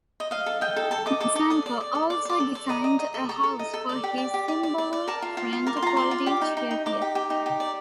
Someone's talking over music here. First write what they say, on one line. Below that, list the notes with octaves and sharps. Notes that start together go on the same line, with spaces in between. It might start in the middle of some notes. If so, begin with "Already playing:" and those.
Janco also designed a house for his "Simbolul" friend Poldi Chapier.
D#5
D#5 F5
A4
D#5 G5
A4
A4 A5
D#5 D6
A4 D6
A4 D6
D5 D#6
D5
D5
A4
D5 D6
D5 D6
A4
D5
D#5 A#5
D#5
D#5
A4
A4 A#5
A4
D#5
A4
D5
G4
D5
G4
D5
D5
D5
D5
A#4 A5
F4
F4
F4
A#4 D6
C6
F4 A#5
D5 C6
F4
G4 D6
D#4
D#4
D#4
D#4 D6
G4
G4
D#4
G4
D5